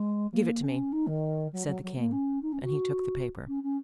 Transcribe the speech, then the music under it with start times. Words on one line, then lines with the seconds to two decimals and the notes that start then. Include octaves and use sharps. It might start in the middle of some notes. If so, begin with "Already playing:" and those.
"Give it to me," said the king; and he took the paper.
Already playing: G#3
0.32 A#3
0.62 C#4
0.92 D#4
1.06 D#3
1.52 F#3
1.67 F#3
1.82 F#3
1.98 A#3
2.11 C#4
2.42 D#4
2.52 C#4
2.63 F#4
3.47 C#4
3.63 C#4